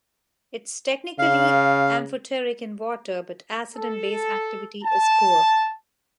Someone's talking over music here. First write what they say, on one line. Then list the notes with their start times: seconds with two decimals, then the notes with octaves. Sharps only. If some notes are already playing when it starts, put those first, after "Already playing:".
It is technically amphoteric in water, but acid and base activity is poor.
1.19 C#3 F5
3.74 A4
4.83 A5